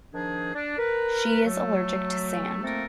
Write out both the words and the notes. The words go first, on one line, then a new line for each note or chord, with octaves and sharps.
She is allergic to sand.
D#3 F3 D4 D#4 G#4
D4
A#4 B4
F#3 A3
F3 A3 A#3 C4 A4 A#4